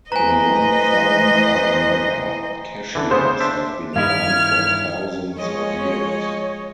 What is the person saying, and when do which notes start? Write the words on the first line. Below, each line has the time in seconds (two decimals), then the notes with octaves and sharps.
In one form or another, cashiers have been around for thousands of years.
0.12 E3 A3 B4 C5 D#5 G#5 A#5
2.95 D3 E3
3.11 C#3 B3 C5
3.40 D4 E5
3.96 G2 D#3 E4 D#5 F5 F6 G#6
5.37 F3 G#3 C#5 D#5